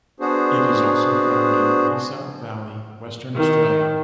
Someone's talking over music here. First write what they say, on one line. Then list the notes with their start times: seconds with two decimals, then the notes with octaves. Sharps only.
It is also found in Isa Valley, Western Australia.
0.20 B3 D4 F#4 G#4 C5
3.36 D#3